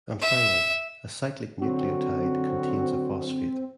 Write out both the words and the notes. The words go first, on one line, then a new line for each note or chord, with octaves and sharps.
And finally, a cyclic nucleotide contains a phosphate.
E5
D3 F#3 C4 F#4